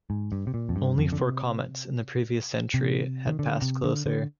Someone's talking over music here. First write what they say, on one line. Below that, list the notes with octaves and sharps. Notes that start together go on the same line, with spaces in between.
Only four comets in the previous century had passed closer.
G#2
G2
C3
A#2
F2
G2
F2
D3
C3
C3
D#3
D3
C3
D3
D3